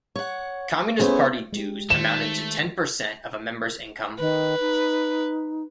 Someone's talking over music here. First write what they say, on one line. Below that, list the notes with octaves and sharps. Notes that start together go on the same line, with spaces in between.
Communist Party dues amounted to ten percent of a member's income.
C#5 F#5
A3 B3 C#4 E4 G#4 C5
G#3 G4
D#3 A3 C5 E7
D#3 B4
D#4